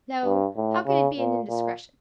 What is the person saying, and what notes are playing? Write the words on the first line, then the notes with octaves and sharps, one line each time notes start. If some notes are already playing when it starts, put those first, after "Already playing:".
No, how could it be an indiscretion?...
G2
A2
C#3
A#2
A#2